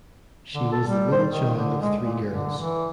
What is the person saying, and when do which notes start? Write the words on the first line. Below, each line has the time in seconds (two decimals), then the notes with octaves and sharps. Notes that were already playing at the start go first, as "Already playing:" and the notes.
She was the middle child of three girls.
0.54 D3
0.72 A4
0.87 G3
1.12 C5
1.27 D#3
1.55 D3
1.81 G#3
2.02 A#2
2.29 D3
2.58 E3